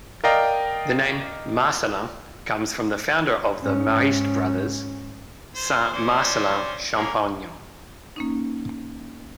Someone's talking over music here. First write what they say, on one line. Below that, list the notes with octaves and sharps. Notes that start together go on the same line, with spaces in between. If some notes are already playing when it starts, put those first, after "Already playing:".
The name Marcellin comes from the founder of the Marist Brothers, Saint Marcellin Champagnat.
A#4 D5 D#5 F5 G5 A#5
G#2 C#4
C5
C#4 C5 D5
A#3 C#4 G#4
A#3 C#4 D#4